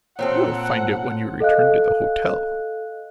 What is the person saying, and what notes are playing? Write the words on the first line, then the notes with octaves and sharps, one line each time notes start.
You will find it when you return to the hotel.
A#2 C4 A4 C5 C#5 F#5
A4 D#5 F5 F#6